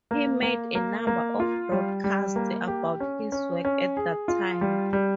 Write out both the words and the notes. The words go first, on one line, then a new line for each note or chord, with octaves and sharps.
He made a number of broadcasts about his work at that time.
A#3
A#3
A#3
A#3
F4
G3
G3
A#3
G4
C#4
C#4
C#4
G#4
F4
G3
G3